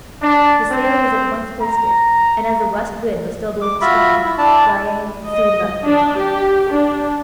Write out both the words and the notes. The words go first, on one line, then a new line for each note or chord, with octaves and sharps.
The sail was at once hoisted and, as the west wind was still blowing strongly, Blaye was soon left behind.
D4
C4
A#5
D6
F4 F#4 E5 B5
E4
D4 E4 D5 A5
D#5
D4
G4
D4